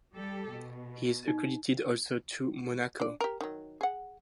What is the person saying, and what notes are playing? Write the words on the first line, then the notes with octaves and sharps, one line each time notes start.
He is accredited also to Monaco.
G3 G4 A4
B2
D#4
D4 D5
G4 A#4
D#3 F#3
G#4 F#5